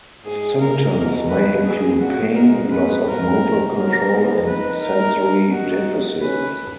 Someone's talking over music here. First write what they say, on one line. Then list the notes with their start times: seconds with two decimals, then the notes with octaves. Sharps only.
Symptoms may include pain, loss of motor control, and sensory deficits.
0.24 G#2 G#4
0.59 A#2 A#4
0.94 B2
1.30 B4
1.65 G#4
2.00 A#2 F#4
2.35 G#2 A#4
2.70 G#2 B4
3.06 G#2 A#4
3.76 F#3 A#4
4.11 B3
4.46 D#4 B4
4.81 A#4
5.52 D#4 F#4
6.22 C#4 B4